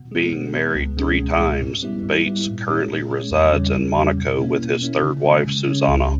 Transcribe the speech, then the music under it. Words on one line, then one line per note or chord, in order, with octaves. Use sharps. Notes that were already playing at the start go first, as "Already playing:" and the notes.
Being married three times, Bates currently resides in Monaco with his third wife, Suzannah.
Already playing: B2
G#3 B3
B2
G#3 B3
C#2
B2 G#3 C#4
C#2
B2 G#3 C#4
G#2
G3 B3 E4
G#2
G3 B3 E4
A#2
G#3 C#4
A#2
G#3 C#4
E2
C#3 G3 C#4
E2
C#3 G3 C#4
B2
A#3 C#4 E4
B2
A#3 C#4 E4
C#3
G#3 C#4
C#3
G#3 C#4
C#2